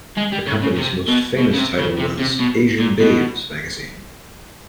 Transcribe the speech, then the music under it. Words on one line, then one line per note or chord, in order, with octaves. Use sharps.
The company's most famous title was "Asian Babes" magazine.
G#3
G3
C#3
C#3
C3
B2
B2
C#3
C3
C#3
C3
C3
B2
A#2
B2